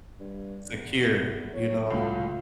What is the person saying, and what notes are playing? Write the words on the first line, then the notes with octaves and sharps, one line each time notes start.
secure, you know?
G2
E2
B1 C#5
C#2 A2 F#3 F4